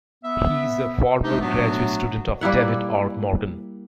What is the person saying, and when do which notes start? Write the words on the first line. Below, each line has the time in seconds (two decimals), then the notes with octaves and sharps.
He is a former graduate student of David R. Morgan.
0.24 B3 E5
1.24 G#3 A3 D4 D#4 G4 C5
1.42 A2 F#3 A3 B3 D4 F#4
2.41 G3 A#3 E4 F#5